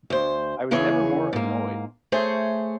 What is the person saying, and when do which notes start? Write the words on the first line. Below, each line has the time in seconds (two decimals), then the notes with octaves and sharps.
I was never more annoyed!
0.10 D2 C5
0.71 E2 C#3 E3 G#4 C#5
1.33 G#2 A#3
2.12 A3 G#4 C5 C#5